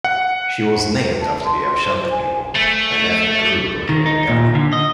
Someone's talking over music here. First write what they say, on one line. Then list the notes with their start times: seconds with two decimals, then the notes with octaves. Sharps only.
She was named after the Ashanti people, an ethnic group located in Ghana.
0.04 F#5
0.98 B4
1.20 A5
1.43 C6
1.83 C5
2.10 G#5
2.55 A3
3.89 D#3
4.06 D#4
4.29 A#2
4.55 D3
4.73 D#5